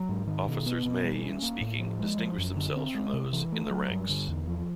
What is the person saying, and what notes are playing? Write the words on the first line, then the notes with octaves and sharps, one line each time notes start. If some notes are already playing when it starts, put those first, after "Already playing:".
Officers may, in speaking, distinguish themselves from those ""in the ranks"".
Already playing: F#3
G#2
D#3
B2
B3
B2
G3
C#4
A#3
A2
F3
G#3
F3
F#2
D3
C4
G#3
C3
E3
A3
F#3
G2
D3
E2
F3